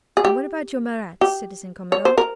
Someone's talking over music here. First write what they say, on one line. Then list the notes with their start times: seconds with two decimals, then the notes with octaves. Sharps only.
"And what about your Marats, citizen commandant?"
0.17 G#4
0.25 G4
1.21 G4
1.92 C#5
2.05 C5
2.18 A#4